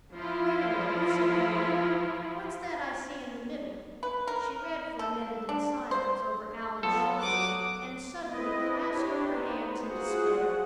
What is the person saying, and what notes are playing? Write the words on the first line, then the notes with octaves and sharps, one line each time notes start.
"Wait a little," said Neelie; "what's that I see in the middle?" She read for a minute in silence, over Allan's shoulder, and suddenly clasped her hands in despair.
F3 E4 F4
B4
A#4
A4
D4
C5
F#3 B3 F4 A4
F#4 D6 D#6 F#6
C4 E4 B4 D#5
D4 E4 G4 C#5
B3 D#4 C5
F4 F#4 G#4 C5 F#5